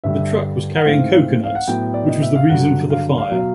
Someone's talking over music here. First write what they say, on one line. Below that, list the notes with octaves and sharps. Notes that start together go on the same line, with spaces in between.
The truck was carrying coconuts, which was the reason for the fire.
G2 D3 G3 E5
F#5
G#2 E3 A3 C4 F5
F5
F#5
A2 F#3 B3 G5
D5
D#5
E5
F5
G2 D3 F#3 F#5
F5
F5
B2 F#3